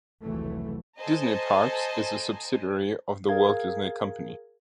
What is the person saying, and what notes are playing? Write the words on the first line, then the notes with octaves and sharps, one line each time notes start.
Disney Parks is a subsidiary of The Walt Disney Company.
F1 C#2 E3 F#3 A3
A4 C5 D#5 G#5 A#5
G#4 A#4 F5 G#6